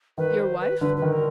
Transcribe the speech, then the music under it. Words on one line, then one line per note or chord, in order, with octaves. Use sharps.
"Your wife?"
D#3 B4
C5
B4
D3 B4
B4
D#3
A#4